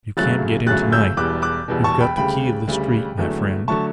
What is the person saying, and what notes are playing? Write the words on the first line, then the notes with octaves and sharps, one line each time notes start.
You can't get in to-night; you've got the key of the street, my friend.'
G1 F#2 C#3 F#3 A3 F#6 A6
G1 F#2 C#3 F#3 A3 F#6 A6
E6 G6
E1 E2 B2 G3 D6 F#6
D6 F#6
E1 E2 B2 G3
A5 C#6
G5 B5
D2 C#3 G3 G5 B5
D2 C#3 G3
E2 D3 F#3 A3
D3 F#3 A3 A5 C#6